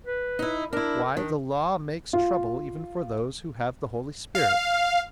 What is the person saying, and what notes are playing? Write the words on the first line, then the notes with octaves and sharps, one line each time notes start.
Why, the Law makes trouble even for those who have the Holy Spirit.
B4
D#4 E4
D4 E4 A#4
D#3 D4
F4
F5